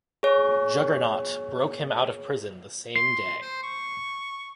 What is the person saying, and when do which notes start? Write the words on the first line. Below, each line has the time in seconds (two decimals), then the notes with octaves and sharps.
Juggernaut broke him out of prison the same day.
0.23 G#4 C#5
2.96 C6 C7
3.42 C5
3.63 C#6